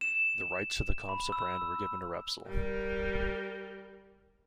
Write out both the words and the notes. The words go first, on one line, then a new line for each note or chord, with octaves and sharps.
The rights to the Campsa brand were given to Repsol.
E7
B5
E6
G3 A#4